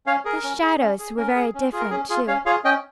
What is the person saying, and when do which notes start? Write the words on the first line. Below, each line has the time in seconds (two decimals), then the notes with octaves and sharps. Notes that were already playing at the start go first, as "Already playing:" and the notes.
The shadows were very different too.
0.06 C#4 C#5 F5
0.25 G#4 A#4
0.43 C#4
0.62 G#4
0.80 C#4
0.99 G#4
1.17 C#4 A#4
1.35 G#4
1.54 C#4
1.72 F4 G#4
1.80 A#4
1.90 C#4 G#4
2.09 F4 G#4
2.27 C#4 C#5 F5
2.46 F4 G#4 C#5 F5
2.64 C#4 D#5 G5